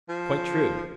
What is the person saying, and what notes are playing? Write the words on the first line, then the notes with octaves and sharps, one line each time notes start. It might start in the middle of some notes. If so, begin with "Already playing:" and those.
Quite true.
F3